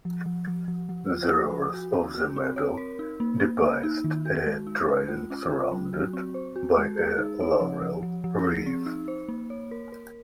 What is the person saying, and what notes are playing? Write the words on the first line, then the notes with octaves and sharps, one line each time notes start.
The reverse of the medal depicts a trident surrounded by a laurel wreath.
F3
F3
F3
F3
F3
F4
F3
F3
F#4
C4
F#4
C4
C#5
A#4
D#4
A#3
A#3
A#3
D#4
D#3
F#4
G#3
D#4
G#3
F4
C#4
F4
F#3
F#4
C4
C5
F#4
G#3
G#4
D#4
C#5
F3
F3
F3
F3
G#4
C4
D#4
C5
A#3
C#5
A#4
A#4